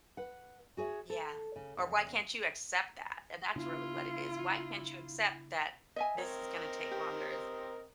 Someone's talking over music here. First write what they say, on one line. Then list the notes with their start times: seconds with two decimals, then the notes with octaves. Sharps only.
Yeah. Or, "Why can't you accept that?" And that's really what it is. "Why can't you accept that this is gonna take longer
0.17 B4 F#5
0.77 F#4 G#4 C#5 E5
1.10 A4
1.56 C#3
1.77 E2 C3
3.56 C#3 B3 D4 E4 F4
5.96 D#5 E5 G#5
6.18 C4 A#4 C#5 D#5
6.91 G4